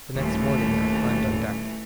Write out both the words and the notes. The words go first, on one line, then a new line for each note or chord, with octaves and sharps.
The next morning I climbed on deck.
D#1 D#2 E3 A3